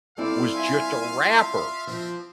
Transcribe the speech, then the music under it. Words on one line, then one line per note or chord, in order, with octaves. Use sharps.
was just a wrapper,
G3 C4 E4 A4 D5 F5
F4 E5 G#5
E5
F3 C4